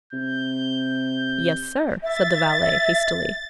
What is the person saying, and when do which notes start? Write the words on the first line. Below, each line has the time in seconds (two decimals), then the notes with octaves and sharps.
"Yes, sir," said the valet hastily.
0.13 C3 G6
2.03 E5 A6